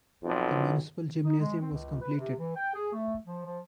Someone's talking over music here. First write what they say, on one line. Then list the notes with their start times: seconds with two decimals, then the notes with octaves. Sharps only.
The municipal gymnasium was completed.
0.24 B1 F2
1.24 D#4
1.40 G#3
1.62 C4
1.73 C#2
2.01 B4
2.18 C3
2.39 E3
2.56 G5
2.74 G#4
2.93 A3
3.25 F3
3.45 F3